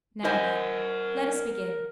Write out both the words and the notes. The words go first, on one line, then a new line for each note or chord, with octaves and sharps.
Now then, let us begin.
A#4 C5 D#5 F#5 G#5